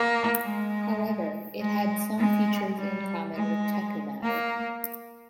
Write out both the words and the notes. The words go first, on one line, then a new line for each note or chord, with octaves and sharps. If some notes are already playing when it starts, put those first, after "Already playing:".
However it had some features in common with Tekumel.
Already playing: A#3
G#3
G#3
G#3
G3
G#3
A#3